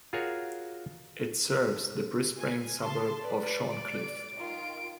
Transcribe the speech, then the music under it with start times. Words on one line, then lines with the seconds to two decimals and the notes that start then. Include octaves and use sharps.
It serves the Brisbane suburb of Shorncliffe.
0.13 F4 F#4 G#4 A#4 C#5
2.37 G#5
2.80 A5 C6
3.23 B4 D5
3.70 D7
4.37 D#3 F4